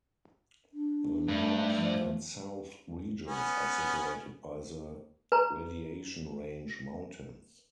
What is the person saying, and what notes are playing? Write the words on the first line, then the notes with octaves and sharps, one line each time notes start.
The north and south regions are separated by the 'Radiation Range' mountains.
D4
G2 A3
F3
B3 C#4
B4 A#5